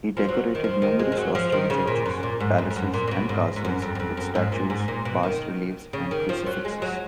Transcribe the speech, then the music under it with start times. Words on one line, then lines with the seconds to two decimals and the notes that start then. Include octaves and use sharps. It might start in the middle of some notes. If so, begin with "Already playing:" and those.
He decorated numerous Austrian churches, palaces and castles with statues, bas-reliefs and crucifixes.
0.17 F3
0.29 F#3
0.55 D#3
0.64 F3
0.82 D#3
0.99 G#3
1.12 F3
1.17 F#3
1.35 F3
1.52 D#3
1.70 C#3
1.87 A#2
2.06 F#2
2.23 A#2
2.40 G#2
2.58 F2
2.71 F2
2.76 F#2
2.94 A#2
3.08 A#2
3.11 B2
3.29 G#2
3.56 G#2
3.65 F#2
3.82 F2
3.95 F#2
4.00 F2
4.17 F#2
4.35 G#2
4.52 A#2
4.70 G#2
4.88 A#2
5.05 B2
5.23 D#3
5.93 C#3
6.11 D#3
6.29 F3
6.46 F#3
6.65 G#3
6.82 F#3